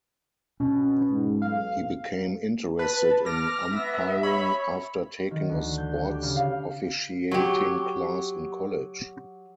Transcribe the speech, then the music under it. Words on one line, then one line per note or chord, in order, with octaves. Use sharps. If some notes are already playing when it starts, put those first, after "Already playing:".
He became interested in umpiring after taking a sports officiating class in college.
B2 C#4
G#2
B1 F5
B4 A5
D6 F6 A#6
B3 E5
C#5 B5
D#3
D2
G6
G6
G4
C#3
F5
F#3 G4